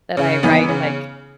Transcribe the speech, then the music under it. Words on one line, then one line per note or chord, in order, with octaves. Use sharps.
that I write, like,
C#3
E3 B3 D#4
C#3